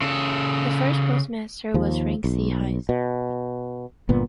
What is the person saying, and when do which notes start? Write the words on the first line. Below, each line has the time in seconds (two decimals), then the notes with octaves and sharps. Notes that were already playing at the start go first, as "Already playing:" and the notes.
The first postmaster was Frank C. Hise.
0.02 C#3 A4
1.74 D#2 F3
2.24 B1
2.89 B2
4.09 G1 A#2 B3